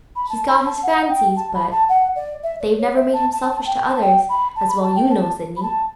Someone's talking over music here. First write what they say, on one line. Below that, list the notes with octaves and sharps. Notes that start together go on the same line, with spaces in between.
He's got his fancies, but they've never made him selfish to others, as well you know, Sidney.
B5
A5
B5
A5
F#5
G5
A5
B5
A5
F#5
D5
E5
D5
C#5
E5
A5
A5
A5
A5
G5
G5
A5
G5
B5
A5
B5
A5
G5
A5
B5
A5